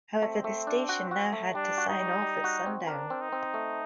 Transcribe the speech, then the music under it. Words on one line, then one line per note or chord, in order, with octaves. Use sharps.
However, the station now had to sign off at sundown.
A3 C4
A3
D4
F#4
F#4
A3
G3 D4
F#4
D#4
G3
G3
F#4
C4
D4 A#4
C4
D#4
C4
A3